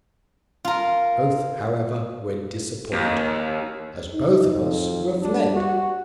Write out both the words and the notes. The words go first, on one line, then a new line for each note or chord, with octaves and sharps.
Both, however, were disappointed, as both of us were fled.
F4 A#4
D#2
D#4
F2
G3 D4
F#4